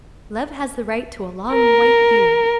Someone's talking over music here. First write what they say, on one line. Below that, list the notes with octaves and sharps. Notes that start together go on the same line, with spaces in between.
Love has the right to a long white beard.
A#4